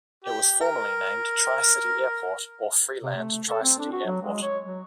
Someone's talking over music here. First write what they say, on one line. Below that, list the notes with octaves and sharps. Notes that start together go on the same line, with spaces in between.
It was formerly named Tri City Airport or Freeland Tri-City Airport.
G4
A#4
C3
A3
A4
C4
D4
F#4
F#3
G#3
C#5
F#3